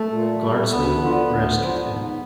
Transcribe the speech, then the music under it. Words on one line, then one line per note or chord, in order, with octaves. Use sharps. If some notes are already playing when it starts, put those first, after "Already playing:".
Guardsmen rescued him.
Already playing: A3
A#2
G3
D2 B3
D3 F3
D2
D3 F3
G#2